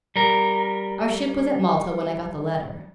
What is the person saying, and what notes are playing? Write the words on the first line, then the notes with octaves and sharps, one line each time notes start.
Our ship was at Malta when I got the letter.
G3 A#4